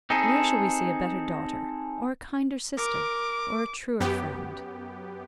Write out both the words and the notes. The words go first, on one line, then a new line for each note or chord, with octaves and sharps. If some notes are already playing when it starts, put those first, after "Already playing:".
Where shall we see a better daughter, or a kinder sister, or a truer friend?
C4 D#4 G#4 A4
A#4 D6
F#2 B3 G4